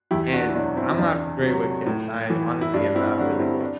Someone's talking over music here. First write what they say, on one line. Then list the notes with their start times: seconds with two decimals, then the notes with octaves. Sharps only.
and I'm not great with kids, I honestly am not really great,
0.11 E2 E4 G4
0.33 D4 F#4
0.48 E4
0.54 B2 F#3 D4 F#4
0.76 C4 E4
0.91 E4
0.99 E2 D4
1.42 C3 F#3
1.86 A2
2.30 E3
2.61 E4
2.74 G2 D4
2.84 D4
2.95 C4 E4
3.17 D3 F#3 D4 F#4
3.39 C4 E4
3.60 D4